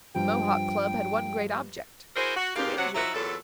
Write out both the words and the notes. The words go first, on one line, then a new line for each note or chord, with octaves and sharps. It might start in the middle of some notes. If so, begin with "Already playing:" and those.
The Mohawk Club had one great object--to injure.
G2 F3 G5
E4 F#4 G#4 A#4 C5
F#4
G#2 B2 A#3 F4 G4
C3 F#3 F#5
F3 F#3 D#4 E4 F#4 E5
E2 A#2 F#3 A4